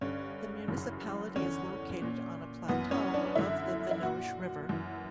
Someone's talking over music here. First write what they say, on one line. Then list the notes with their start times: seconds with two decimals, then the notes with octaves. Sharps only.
The municipality is located on a plateau above the Venoge river.
0.01 G2 D3 C#4
0.68 F#2 C#3 E3
1.36 E2 D3 C#4
2.02 A#2
2.68 F#2 E3 B3
2.91 C#4
3.14 D4
3.35 F#2 D3 E4
3.91 E4
4.02 A#2 F#4
4.69 F#2 E3